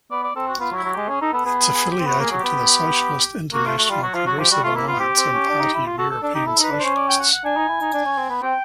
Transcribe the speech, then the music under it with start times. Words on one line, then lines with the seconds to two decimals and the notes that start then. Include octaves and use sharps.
It is affiliated to the Socialist International, Progressive Alliance and Party of European Socialists.
0.11 B3 D5
0.23 D5
0.36 C4 A4
0.48 F#4
0.60 B3 F4
0.72 F#3
0.76 E4
0.84 F#3
0.93 G#3 G4
1.09 C#4 G#4
1.21 D#4 A4
1.33 B3 A4
1.45 B3 G#4
1.58 G#4
1.74 G#4
1.90 G4
2.00 C4
2.06 B3 F#4
2.20 A#3
2.23 G#4
2.31 F#3
2.39 B3 G4
3.53 A#3 F#4
3.66 A3 F4
3.78 A3 F#4
3.90 G3 F4
4.02 F#3 F#4
4.14 F3 F4
4.26 F#3 F#4
4.39 F3 G4
4.51 G3 F#4
4.63 A3 F4
4.76 A#3 E4
4.87 B3 F4
5.00 C4 G4
5.17 C4
5.33 C#4
5.49 D4
5.61 D#4
5.73 E4
5.86 F4
5.98 F#4 A4
6.10 A4
6.22 D4 A4
6.34 D#4 G4
6.46 E4 A4
6.59 D#4
6.63 B4
6.71 D4
6.79 C#4 C5
6.96 D5
7.08 G5
7.20 F#5
7.32 F#5
7.44 D4 G#5
7.56 D#4
7.69 E4
7.81 D#4
7.94 D4
8.06 C#4
8.18 C4
8.30 B3
8.42 C4 G5